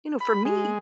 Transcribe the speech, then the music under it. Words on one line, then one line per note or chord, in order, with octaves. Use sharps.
You know, for me,
B5
G#3